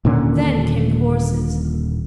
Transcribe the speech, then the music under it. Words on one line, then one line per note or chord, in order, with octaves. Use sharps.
Then came the horses.
D#1 A#2 D3 C#4